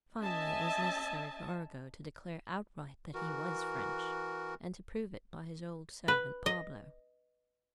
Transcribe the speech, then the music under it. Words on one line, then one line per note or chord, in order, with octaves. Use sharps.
Finally it was necessary for Arago to declare outright that he was French, and to prove it by his old servant Pablo.
C#4 D#5 E5 G#5 A5
E3 F#4 A#4
B4
D#5